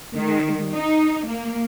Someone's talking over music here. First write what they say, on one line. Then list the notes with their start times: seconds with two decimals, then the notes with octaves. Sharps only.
Mhm, mhm.
0.14 D#3
0.72 D#4
1.26 A#3